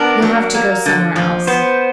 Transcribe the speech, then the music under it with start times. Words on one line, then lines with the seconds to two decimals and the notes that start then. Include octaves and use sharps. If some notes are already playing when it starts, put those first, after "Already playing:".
"You'll have to go somewhere else."
Already playing: B3 D4 A#4
0.22 F#3
0.54 A#3
0.86 D3
1.16 F3
1.47 B3 C5